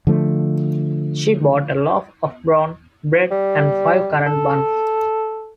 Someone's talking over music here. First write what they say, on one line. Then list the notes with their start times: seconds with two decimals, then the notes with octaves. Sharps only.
She bought a loaf of brown bread and five currant buns.
0.07 D3 F3 A3
3.31 G3
4.27 A4